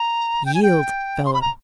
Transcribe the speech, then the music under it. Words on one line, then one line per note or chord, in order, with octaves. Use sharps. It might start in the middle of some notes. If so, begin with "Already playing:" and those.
"Yield, fellow!"
Already playing: A#5
G5
G#5
G5
C6
B5
A#5